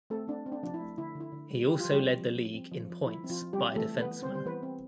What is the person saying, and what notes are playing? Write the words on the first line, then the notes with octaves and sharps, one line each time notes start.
He also led the league in points by a defenceman.
A3 C4 A4
C4 D4
C4
D4
F3 D4
E4
A3
D3 E4
D3
E4
D3
G3
F3 G4
F3 F4
G3 G4
C4
F3
F3
C4
F3
F3
F3 E4
C4
F3 F4
F3
G3 G4
C4
E3 A3 A4
E3
B3 B4
E3
C4 C5
G3
C5
E3 B3 B4
C4